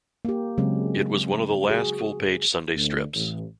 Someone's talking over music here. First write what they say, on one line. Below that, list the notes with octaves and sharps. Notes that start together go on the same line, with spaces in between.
It was one of the last full page Sunday strips.
A#3 G4
C#3 F#3 G#3 C4
F#4 G#4
D2
A1